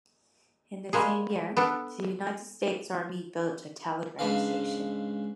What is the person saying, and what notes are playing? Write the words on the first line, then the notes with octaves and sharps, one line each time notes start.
In the same year, the United States Army built a telegraph station.
G3 G#3 A#3 G#4
B3 D4 A4
G#2 C#3 D4 B4 F5